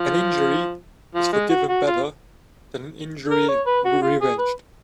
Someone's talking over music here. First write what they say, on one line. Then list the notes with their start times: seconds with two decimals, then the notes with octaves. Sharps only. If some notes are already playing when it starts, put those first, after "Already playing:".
An injury is forgiven better than an injury revenged.
Already playing: F3
1.15 F3
1.33 G#3
1.51 F#4
1.69 F#4
1.87 F4
3.31 A#4
3.49 C#5
3.67 B4
3.85 F#4
4.02 F4
4.21 G#4
4.39 B4